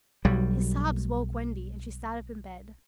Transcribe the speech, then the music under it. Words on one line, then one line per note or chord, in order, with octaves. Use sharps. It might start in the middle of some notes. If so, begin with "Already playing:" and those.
His sobs woke Wendy, and she sat up in bed.
B1 F#3 G3